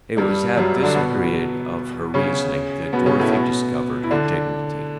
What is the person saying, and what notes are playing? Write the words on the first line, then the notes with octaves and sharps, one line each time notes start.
It was at this period of her reasoning that Dorothy discovered her dignity.
G2 G3
F#2 F#3
D3 D4
B2 B3
C#3 C#4
B2 B3
C#3 C#4
A2 A3
B2 B3
E4
D3 D4